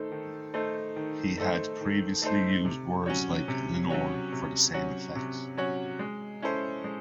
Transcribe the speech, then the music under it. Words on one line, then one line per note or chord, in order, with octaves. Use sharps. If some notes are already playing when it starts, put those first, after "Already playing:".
He had previously used words like "Lenore" for the same effect.
Already playing: D#3 A3 D#4 A4 C5
D#3
A3 D#4 A4 C5
D#3
A3 D#4 A4 C5
D#3
A3 D#4 A4 C5
C3
F#3 C#4 F#4 C#5
C3
F#3 C#4 F#4 C#5
C3
F#3 C#4 F#4 C#5
C3
F#3 C#4 F#4 C#5
G#3
C#4 E4 A4 C5
G#3